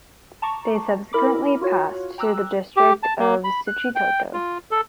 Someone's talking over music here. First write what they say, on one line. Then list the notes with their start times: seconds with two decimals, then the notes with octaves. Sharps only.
They subsequently passed to the district of Suchitoto.
0.42 A5 A#5 C#6 D6
1.13 E4 A#4 B5 D6
1.61 F4 F#4 C#5
2.18 G5 A#5 D6 E6 F#6
2.77 G4
3.03 A5
3.19 A#3
3.44 B5
3.67 F#6
3.96 G5
4.34 F4
4.71 A4